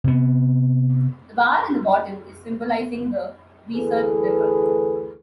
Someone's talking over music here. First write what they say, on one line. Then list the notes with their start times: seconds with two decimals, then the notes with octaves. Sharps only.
The bar in the bottom is symbolising the Weser River.
0.04 C3 B3
3.76 D2 E3 G#4 A4 B4